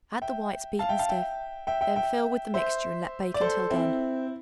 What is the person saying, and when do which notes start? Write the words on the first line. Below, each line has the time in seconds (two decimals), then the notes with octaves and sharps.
Add the whites beaten stiff; then fill with the mixture and let bake until done.
0.22 E5 G5
0.79 F5 A5
0.89 E5 G5
0.99 F5 A5
1.09 E5 G5
1.67 E5 G5
1.81 E5 G5
1.96 E5 G5
2.54 C5 E5
3.34 D5
3.41 A4 C5
3.70 C4 E4